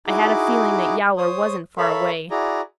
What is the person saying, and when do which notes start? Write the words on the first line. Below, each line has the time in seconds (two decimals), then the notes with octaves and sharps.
I had a feeling that Yowler wasn't far away.
0.07 D#4 E4 F#4 G#4 D6
1.18 C5 C#5 D#6
1.78 A4 A#4 C#5 E5 F5 B5
2.31 E4 F#4 G#4 D5 A#5